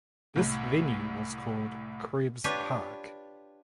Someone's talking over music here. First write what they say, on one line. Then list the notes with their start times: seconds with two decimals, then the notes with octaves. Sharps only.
This venue was called Krebs Park.
0.36 C2 A2
2.44 D4 F4 G4 B4 C#5